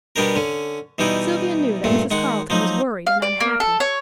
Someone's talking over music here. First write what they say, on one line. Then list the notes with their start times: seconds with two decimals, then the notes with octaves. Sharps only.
Sylvia knew that Mrs. Carleton was worried and unhappy.
0.16 B2 G3 B3 D4 G4 A#4
0.36 D3 C#4
0.98 B2 E3 G3 D#4 E4
1.84 G2 A#2 A3
2.11 D#3 G#3 F#5
2.50 F3 F#3 D#4
3.07 F5
3.22 D5
3.40 A#3
3.60 A4
3.80 C#5